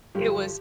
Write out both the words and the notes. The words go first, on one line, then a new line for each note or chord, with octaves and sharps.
It was
G2 D3 F3 G4